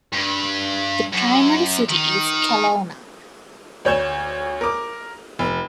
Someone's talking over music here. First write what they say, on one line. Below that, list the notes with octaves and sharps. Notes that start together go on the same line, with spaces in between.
The primary city is Kelowna.
G2
F#2
D#3
D2 C#5 G6 E7
A#4 D6
F1